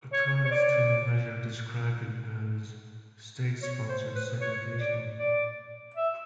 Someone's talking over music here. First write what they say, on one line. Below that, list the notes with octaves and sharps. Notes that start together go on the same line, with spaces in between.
Opponents to the measure described it as "state-sponsored segregation".
C#5
C#5
D5
C#5
C5
B4
C#5
D5
D5
E5